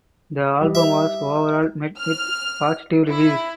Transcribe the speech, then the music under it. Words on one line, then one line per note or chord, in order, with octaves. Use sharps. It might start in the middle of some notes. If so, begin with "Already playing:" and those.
The album was overall met with positive reviews.
G3 D#5
E5
F6
E4